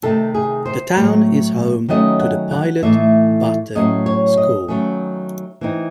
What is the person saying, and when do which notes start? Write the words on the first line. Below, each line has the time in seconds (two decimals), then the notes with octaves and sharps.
The town is home to the Pilot Butte School.
0.03 C3 D#3 A3 A4
0.34 G#4
0.65 C5
0.96 A2 F#3 A3
1.89 D#3 F#3 A3 C#4 D#5
2.20 F#5
2.51 F#5
2.83 A2 E3 A3 D#4 E5
3.75 A2 F#3 A3 C#4 D#5
4.06 C#5
4.37 D#5
4.68 D#3 F#3 A3 C#4
5.61 E3 C4 D#4